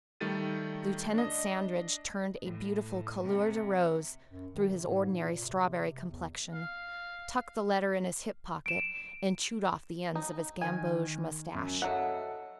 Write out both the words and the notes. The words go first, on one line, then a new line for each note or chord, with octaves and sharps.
Lieutenant Sandridge turned a beautiful /couleur de rose/ through his ordinary strawberry complexion, tucked the letter in his hip pocket, and chewed off the ends of his gamboge moustache.
D#3 G3 A3 A6 D#7
D4 D#5
A2
C3
F#2
D#3
C3
G#2
A#2
C3
C3
E2
F5
D7 E7
D#4
D#3 G#5
F#2
F#3 A4 D#5 E5 F#5